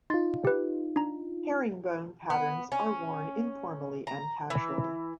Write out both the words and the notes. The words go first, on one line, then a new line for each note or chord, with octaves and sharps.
Herringbone patterns are worn informally and casually.
D#4 F4 C6 A6
G4 B4
D4 A#5
B3
C#4
A#5
E3